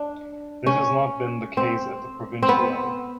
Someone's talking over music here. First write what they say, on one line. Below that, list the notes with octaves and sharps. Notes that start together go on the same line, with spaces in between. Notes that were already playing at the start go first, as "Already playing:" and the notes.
This has not been the case at the provincial level.
Already playing: D4
C#4
C4
C4
B3